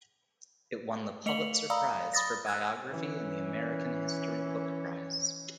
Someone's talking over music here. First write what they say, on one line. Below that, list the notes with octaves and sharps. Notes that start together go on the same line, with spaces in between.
It won the Pulitzer Prize for Biography and the American History Book Prize.
A3 D#5 C#7 F7 F#7
D5 F5 A#5 B5 D#6 E6
B5 D#6 A6 A#6
E6 F#6 G#6
E3 C#4